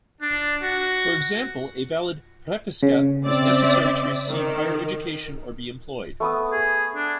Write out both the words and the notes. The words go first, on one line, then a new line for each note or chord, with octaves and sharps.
For example, a valid "propiska" was necessary to receive higher education or be employed.
D4
F#4
C#3
C4 D5 E5
D#3
A3 B3 D#6
G#4
D4